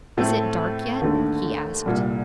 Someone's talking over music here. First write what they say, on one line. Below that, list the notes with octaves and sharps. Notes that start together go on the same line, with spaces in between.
'Is it dark yet?' he asked.
A2 A3 C4
D#2 D3 A3
C2 A#2 G3